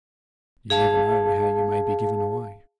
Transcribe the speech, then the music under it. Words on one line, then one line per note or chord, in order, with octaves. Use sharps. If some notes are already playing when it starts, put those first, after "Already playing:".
You never know how you may be given away.
G#4 F5 A5